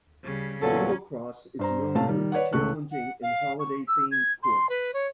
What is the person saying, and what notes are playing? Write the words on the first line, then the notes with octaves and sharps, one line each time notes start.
Jingle Cross is known for its challenging and holiday themed course.
C#3 G3
E2 A#2 F#3 C#4 A4
G2 C5 A#5
A2 C3 A3 F5 A5
D#3 G3
B4 C#5 D5 F#5
C#2 C#3 A3 C#6 F#6
F#5
F5
C#6
E6
G#6
C6
B4
C#5